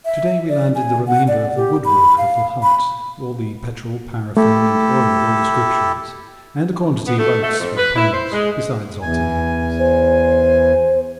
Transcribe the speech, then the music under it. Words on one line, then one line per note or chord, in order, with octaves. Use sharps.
To-day we landed the remainder of the woodwork of the hut, all the petrol, paraffin and oil of all descriptions, and a quantity of oats for the ponies besides odds and ends.
E5
D5
G#5
F#5
D5
G4
B5
F5
B5
A3 E4 G4 A4
B3
A3
A3
F2
B4
E4
C5
G#3
E2 G#5
C5